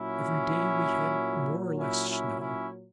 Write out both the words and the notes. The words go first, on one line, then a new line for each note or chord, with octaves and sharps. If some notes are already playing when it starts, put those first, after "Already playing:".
Every day we had more or less snow.
Already playing: A#2 F#3 C#4 E4
C#4 E4
C#4 E4
C#4 E4